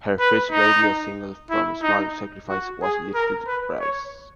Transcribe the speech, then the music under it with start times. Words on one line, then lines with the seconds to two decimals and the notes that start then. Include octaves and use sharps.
Her first radio single from "Small Sacrifice" was "Live to Praise".
0.19 B4
0.51 D#4
1.50 E4
1.83 D#4
2.49 F#4
2.82 G#4
3.14 A#4
3.47 B4
3.80 C#5